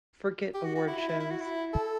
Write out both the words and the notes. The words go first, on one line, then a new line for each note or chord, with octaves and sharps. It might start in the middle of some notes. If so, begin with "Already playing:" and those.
Forget awards shows.
G4
F#4
F#4
E4
E4
E4
E4
F#4
E4
A4